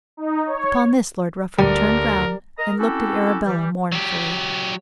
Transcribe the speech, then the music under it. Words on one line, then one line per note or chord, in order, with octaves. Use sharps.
Upon this Lord Rufford turned round and looked at Arabella mournfully.
D#4
C#5
D2 G3 G4 A#4 D5
A#4 D#5 A#5
C4 C#4 E4 F#4 G4 A4
E3 G3
F#3 G4